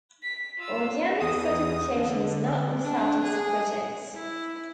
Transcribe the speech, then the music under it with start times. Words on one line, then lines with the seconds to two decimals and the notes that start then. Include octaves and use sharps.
Organic certification is not without its critics.
0.22 B6
0.58 F4 E6
1.20 E2 D#6
1.95 D3
2.84 D4
3.23 G#4
4.14 E4